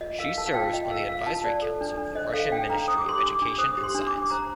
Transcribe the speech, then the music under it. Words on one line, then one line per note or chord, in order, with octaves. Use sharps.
She serves on the advisory council of the Russian Ministry of Education and Science.
F4 D#5
A#4 F5
A#4 A5
F5
F4 G5
F4 D#5
A#4 F5
A#4 F5
F4 A5
C5 D5
A4
D4
D4
C5 D#5
A4 F5
D4 G5
D4 A#5
C5 D#6
D6
G4 C6
D4 D6
D4
C5 D#6
G4
C6
D4
D6
D4
C5 A#5